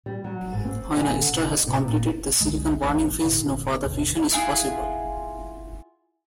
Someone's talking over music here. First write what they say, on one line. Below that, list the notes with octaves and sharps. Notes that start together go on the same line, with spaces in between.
When a star has completed the silicon-burning phase, no further fusion is possible.
G3
F#3
G#2
C4
G#5
D3
C3
D#5
C3
A#2
F#1 C2 D3 G#3
A1 E2 A2
G#1 A#2 D3
D#2 B2 D3
E4 F4 G#4 F#5